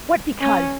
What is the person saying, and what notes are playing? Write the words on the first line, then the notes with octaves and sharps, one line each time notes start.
What because?
C#4